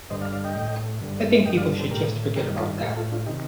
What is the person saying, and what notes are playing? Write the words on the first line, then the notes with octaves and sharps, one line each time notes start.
I think people should just forget about that.
G2 D3 C5 D#5
D5 F5
D5 F5
D#5 G5
A2
G2 D3
G2 D3 D#5 G5
D5 F5
A4 C5
A2 G4 A#4
G2 D#3 G4 A#4
F4 A4
A2 G4 A#4
F4 A4
D4 F4
C3 D#3 D#4 G4